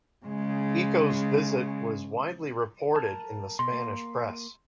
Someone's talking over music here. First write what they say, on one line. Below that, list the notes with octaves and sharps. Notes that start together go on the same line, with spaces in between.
Eco's visit was widely reported in the Spanish press.
C#3 G#3
A#4 A5
B2 C6
A#3